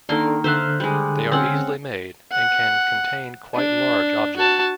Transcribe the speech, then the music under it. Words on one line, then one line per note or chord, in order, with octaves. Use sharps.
They are easily made and can contain quite large objects.
D#3 A#3 D4 A4 C6
D3 C5 E5 F5 F#6
G3 G#3
C4 C#4 F#5
F#5
D4
F#4 A5